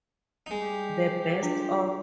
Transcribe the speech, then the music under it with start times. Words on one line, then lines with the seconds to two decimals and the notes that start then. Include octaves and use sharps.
The Best Of.
0.46 G3 G#3 D#4
0.61 G4
1.43 D4 F4